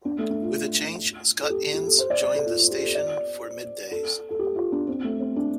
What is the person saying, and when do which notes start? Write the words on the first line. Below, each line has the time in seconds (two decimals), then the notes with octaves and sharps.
With the change, Scott Innes joined the station for middays.
0.05 D4
0.18 A3
0.30 D4
0.42 F4
1.43 A4
1.50 G4
1.74 G4
1.86 A4
1.98 C5
2.10 D5
2.22 D5
2.35 A4
2.47 F4
2.59 F4
2.71 G4
2.83 A4
2.95 D5
3.91 A4
4.31 A4
4.39 G4
4.56 F4
4.72 D4
4.88 C4
5.04 A3
5.20 C4
5.36 D4